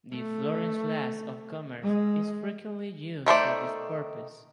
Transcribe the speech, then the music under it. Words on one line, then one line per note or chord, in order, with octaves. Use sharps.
The Florence flask of commerce is frequently used for this purpose.
A3
G#3
D#3 A3 C5 D5